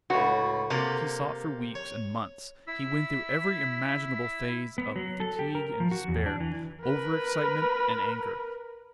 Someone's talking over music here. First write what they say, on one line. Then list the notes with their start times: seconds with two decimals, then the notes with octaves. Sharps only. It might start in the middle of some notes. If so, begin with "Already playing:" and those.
He sought for weeks and months, he went through every imaginable phase of fatigue and despair, over-excitement and anger.
0.10 C#2 A2 F#4
0.70 C3 A#3 G4 A4
1.75 C#5
2.67 E4 E6 B6
4.78 B3
4.96 F#3
5.20 A4
5.39 G4
5.55 A#4
5.80 F3
5.91 F#4
6.08 E2
6.26 D4
6.40 E3
6.83 A#4 B4